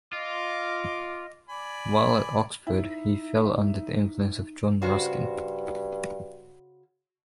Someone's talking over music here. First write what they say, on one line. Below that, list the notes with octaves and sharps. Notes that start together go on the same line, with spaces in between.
While at Oxford, he fell under the influence of John Ruskin.
F4 D#5 D6
D5 G#5 B5
D#4 E4
G2 C#3 F#4 C5